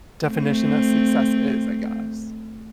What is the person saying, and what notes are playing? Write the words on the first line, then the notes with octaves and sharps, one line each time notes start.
definition of success is, I guess.
A3 C4